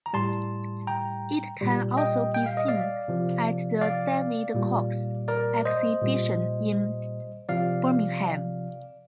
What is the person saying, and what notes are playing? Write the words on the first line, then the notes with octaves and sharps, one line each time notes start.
It can also be seen at the David Cox exhibition in Birmingham.
A#5
A2 G3 A5 C6
G5 A#5
A#2 G3
D#5 G5
G5
F5
D#5
D5 F5
C3 F3
D5 F5
A#2 G3
A#4 D5
C5 D#5
A#2 G3
C3 F3 D5 F5